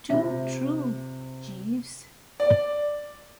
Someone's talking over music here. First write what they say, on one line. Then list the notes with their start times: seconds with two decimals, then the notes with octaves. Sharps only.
Too true, Jeeves.
0.10 C3 F4 E5
2.40 D5